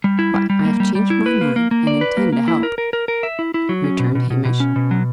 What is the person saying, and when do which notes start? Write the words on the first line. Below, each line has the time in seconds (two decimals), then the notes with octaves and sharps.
"But I have changed my mind, and intend to help," returned Hamish.
0.04 G3
0.19 E4
0.34 G3
0.50 G3
0.65 A#3
0.80 G3
0.95 G3
1.10 E4
1.26 B4
1.41 A#3
1.56 A#3
1.71 A#3
1.87 D5
2.01 B4
2.17 A#3
2.33 A#3
2.48 E4
2.63 A#4
2.78 A#4
2.93 A#4
3.08 A#4
3.23 E5
3.39 E4
3.54 E4
3.69 F#3
3.84 C#4
3.99 B2
4.15 B2
4.30 B2
4.45 B2
4.60 C#4
4.76 B2
4.91 F#3